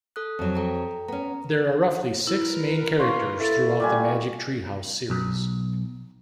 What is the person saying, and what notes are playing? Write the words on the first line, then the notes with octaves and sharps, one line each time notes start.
There are roughly six main characters throughout the Magic Tree House series.
A4 D#6 F#6
F2 F#3
A4 G5 A#5
B3 C#4 A#5
E4 A#4 B4
C#5 F5 C6
E4 A4 A6
A#2 G3 G#5 D6
B1